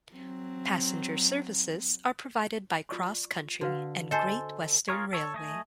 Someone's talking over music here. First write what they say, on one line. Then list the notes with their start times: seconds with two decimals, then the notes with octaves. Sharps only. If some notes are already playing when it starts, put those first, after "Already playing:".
Passenger services are provided by CrossCountry and Great Western Railway.
0.15 F#3 C4
2.89 F4 D5 C#6
3.61 D3 F#4 B4 F5
4.11 A4 C5 D#5 G#5 A5
4.89 F4 G#4 A#4 C#5
5.13 A4 C#5
5.34 A3 D#5 G#5